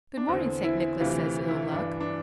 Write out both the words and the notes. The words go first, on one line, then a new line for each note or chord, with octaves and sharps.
"Good-morning, St. Nicholas," says Ill-Luck.
D4
E2 D3 C4
E4
D2 C3 E3 F4
E4
G2 E3 D4
D4